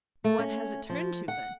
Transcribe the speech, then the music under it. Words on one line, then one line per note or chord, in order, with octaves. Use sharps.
"What has it turned to, then?"
A3
C#4
F3
F#5